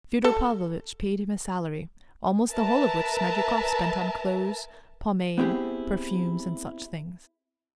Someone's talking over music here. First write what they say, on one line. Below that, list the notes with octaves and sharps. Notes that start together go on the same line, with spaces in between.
Fyodor Pavlovitch paid him a salary, almost the whole of which Smerdyakov spent on clothes, pomade, perfumes, and such things.
A4
A#4 B4 E5 A5 A#5
B3 C4 E4 G4 G#4